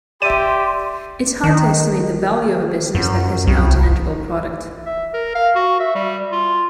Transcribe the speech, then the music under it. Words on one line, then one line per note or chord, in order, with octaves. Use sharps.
It's hard to estimate the value of a business that has no tangible product.
G4 D5 E5 C6 D#7
D#3
F#2
C2
E5
A#4
F5
F#4
E5
G3
F4